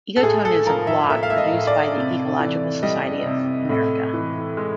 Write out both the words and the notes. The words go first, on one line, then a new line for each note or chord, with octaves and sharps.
EcoTone is a blog produced by the Ecological Society of America.
A4
A2 G#4
A4
F3 A#4
E5
A#3 E5
F5
E5
D#5
A2
D5
C3
E3
G3 D#5
C3
A2
E3
G#3